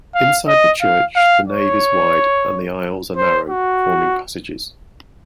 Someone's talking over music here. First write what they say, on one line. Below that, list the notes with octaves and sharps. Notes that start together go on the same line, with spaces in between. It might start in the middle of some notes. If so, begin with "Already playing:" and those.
Inside the church, the nave is wide and the aisles are narrow, forming passages.
F5
D#5
F5
F5
C#5
C5
F#4